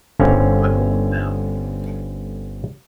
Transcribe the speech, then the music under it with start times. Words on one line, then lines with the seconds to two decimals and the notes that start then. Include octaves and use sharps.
But old now.
0.19 G1 D3 C4 C#4 F5